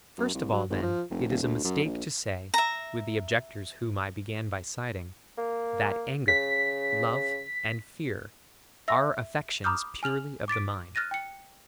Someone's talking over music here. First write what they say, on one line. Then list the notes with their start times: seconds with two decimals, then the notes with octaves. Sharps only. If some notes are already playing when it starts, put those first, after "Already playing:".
First of all, then, it is a mistake to say, with the objectors whom I began by citing, that anger, love and fear are affections purely of the mind.
0.18 F#2
0.34 C2
0.53 F#3
0.70 G#1
0.82 F3
1.10 F1
1.29 D#1
1.42 D2
1.64 F#2
1.84 A#1
2.54 E5 A#5
5.38 A#3
6.28 C#3 B6
8.88 E5 E6 A#6
9.64 A#5 B5 D6 D#6 F6 G6
10.03 G#5 F6 F7 F#7
10.48 D6 A6 B6 D7
10.95 F6 F#6 A6 A#6 D#7
11.11 G5 C#7